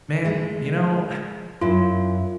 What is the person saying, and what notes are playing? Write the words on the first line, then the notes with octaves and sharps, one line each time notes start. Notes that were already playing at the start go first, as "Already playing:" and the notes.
Man, you know,
G#3 A3
F#2 E4 F4